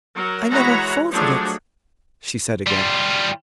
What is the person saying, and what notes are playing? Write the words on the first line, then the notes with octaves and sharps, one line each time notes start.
"I never thought of it," she said again.
F#3 A#4
E3 G#3 F#4 C#5 F#5 A#5
F3 F#3 A3 D4 G#4
G3 F4